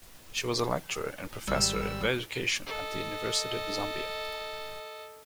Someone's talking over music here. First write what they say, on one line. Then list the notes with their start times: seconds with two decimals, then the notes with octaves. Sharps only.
She was a lecturer and professor of education at the University of Zambia.
1.48 G#1 G3 E6
2.66 A4 D#5